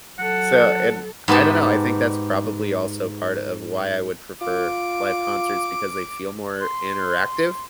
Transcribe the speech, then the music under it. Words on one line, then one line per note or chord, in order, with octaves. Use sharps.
So, and I don't know, I think that's probably also part of why I would prefer live concerts, because they feel more interactive.
F#3 A4 F#5
G#2 B3 G4 A5
F4 D6
C6